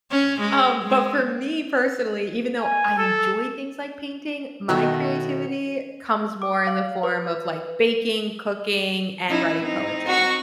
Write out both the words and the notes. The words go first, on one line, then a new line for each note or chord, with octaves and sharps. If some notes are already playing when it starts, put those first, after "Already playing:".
Um, but for me personally, even though I enjoy things like painting, my creativity comes more in the form of like baking, cooking, and writing poetry.
C#4
G#3
G#3
G#5
A4
B2 D#3 A3
D6
F5
B4
C#4 D#4 E4
C4 D#4
F#4 C#6